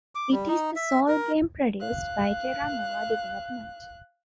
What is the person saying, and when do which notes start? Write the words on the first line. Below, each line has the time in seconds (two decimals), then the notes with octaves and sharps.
It is the sole game produced by Terra Nova Development.
0.15 D6
0.32 G3
0.48 D#4
0.76 E5
1.08 A#4
1.80 F5 F#6